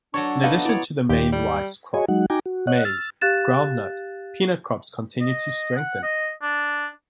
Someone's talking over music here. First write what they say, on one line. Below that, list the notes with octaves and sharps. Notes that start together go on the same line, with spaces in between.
In addition to the main rice crop, maize, groundnut, peanut crops continued to strengthen.
F#3 D4 A4 C#5 C#6
B3 D#4 A4 F5 F#5
E4 C#5 D5
D#2 G4
G3
F#4 G#4 C#5 D#5 G#5
F#3 G#3 D#4 F#4 F#5
D#4 F#4 G5 G#5 A#5 D6
F#4
C#5 D#5 F#5 F#6
E6 F6 A6
G4 F5 F#6 A6 E7
D#5
F#5
D#5
D4